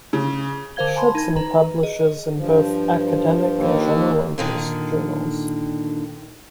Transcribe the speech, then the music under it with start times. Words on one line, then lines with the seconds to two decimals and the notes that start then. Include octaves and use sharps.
Schudson publishes in both academic and general-interest journals.
0.13 C#3
0.76 D3 A#4 C5 F5 G#6 G7
0.96 G#5 A5 B5 C6
1.15 D#4 G#6
1.36 B4 A#5
1.83 G#4 D#5
2.35 G2 F3
3.55 D#2
4.38 A#2 D3 D#3